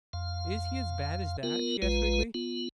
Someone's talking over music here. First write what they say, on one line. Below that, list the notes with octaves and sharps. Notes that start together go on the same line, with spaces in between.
"Is he as bad as that?" she asked quickly.
F2 F5
B3 F4 A#4
A#1 G#3 F4 B4
B3 F4